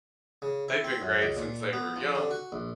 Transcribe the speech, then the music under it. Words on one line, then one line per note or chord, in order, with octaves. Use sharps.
they've been great since they were young
C#3
E4
C4
F#2
C#2
A#2
B3
F3
D3
F#4
A#1